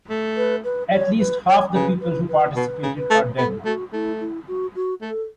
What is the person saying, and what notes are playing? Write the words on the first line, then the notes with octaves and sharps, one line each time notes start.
At least half the people who participated are dead now.
A3
B4
B4
C#5
B4
C#5
C#3 B4
B4
B4
B2 B4
C#3
B4
A3
B3 A4
A3 F#4
A3 E4
E4
F#4
F#4
A3 A4